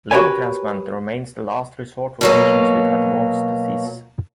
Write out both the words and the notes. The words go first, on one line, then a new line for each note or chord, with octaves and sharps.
Lung transplant remains the last resort for patients with advanced disease.
F#4 G4 A#4 B4 C#5 G#5
B2 F#3 A#3